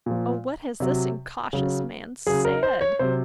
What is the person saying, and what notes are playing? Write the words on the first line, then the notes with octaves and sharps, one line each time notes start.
O what has this incautious man said!
A#2 F3
C3 F#3
C#3 F#3
C#3 F#3 G#4
A#4
C5
C#5
C3 F#3 C5